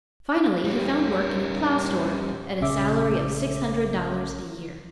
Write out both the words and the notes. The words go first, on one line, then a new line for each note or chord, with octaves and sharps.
Finally he found work in a plow store at a salary of six hundred dollars a year.
G3 C#4
A#1 C#3 C#4 E5 D6